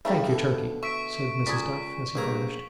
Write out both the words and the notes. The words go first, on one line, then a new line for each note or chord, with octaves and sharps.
"Thank you, Turkey," said Mrs. Duff as he vanished.
G2 C#3 G3 A3 A#3 E4
B2 D3
E5 C#6 B6 D7
C#2 G#4 D5 G#5 B6
A#1 G2 G#4 A#5